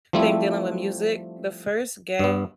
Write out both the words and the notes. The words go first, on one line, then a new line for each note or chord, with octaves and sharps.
Think dealing with music. The first gadget
F3 G3 A3 C4 E4
G2 B3